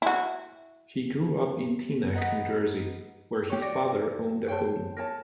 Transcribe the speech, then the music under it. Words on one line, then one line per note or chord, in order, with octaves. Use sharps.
He grew up in Teaneck, New Jersey where his father owned a home.
E4 F#4
B3 D#4 F#5
F#4 G4 C#5
D5 A#6 C#7 D7
G#4 C5 C#5 G5 A5
A#4 C#5 A5 A#6